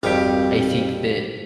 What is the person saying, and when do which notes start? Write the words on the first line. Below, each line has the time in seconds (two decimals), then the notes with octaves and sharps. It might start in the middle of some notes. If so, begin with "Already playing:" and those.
I think that,
0.03 G#1 F2 G3 C4 F4 G4